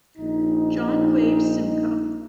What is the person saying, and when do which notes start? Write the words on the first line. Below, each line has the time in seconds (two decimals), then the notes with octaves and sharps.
John Graves Simcoe.
0.18 A#1 D#4